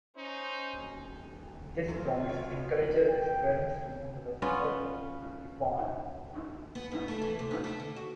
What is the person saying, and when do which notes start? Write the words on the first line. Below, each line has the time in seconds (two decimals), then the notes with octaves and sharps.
This promise encouraged his parents to move to the city of Isfahan.
0.17 C#4 D#4 C5
1.88 F#2 A2 F4
2.29 B2 C#5
3.09 G5
4.42 B3 C#4 F4
6.75 B3
6.92 B3
7.08 A3
7.22 E3
7.39 C3
7.51 B3
7.64 A3
7.80 D3
7.96 F#4